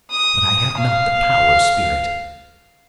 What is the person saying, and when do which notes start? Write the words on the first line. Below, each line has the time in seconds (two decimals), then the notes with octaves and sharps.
But I have not the power, Spirit.
0.11 D#6
0.78 F5